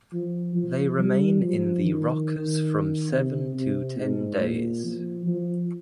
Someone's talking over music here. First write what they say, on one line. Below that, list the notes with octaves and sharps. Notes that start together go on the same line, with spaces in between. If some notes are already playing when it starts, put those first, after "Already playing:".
They remain in the rockers from seven to ten days.
F3
F3
G3
F3
D#3
C3
C3
G#2
A#2
F3
F3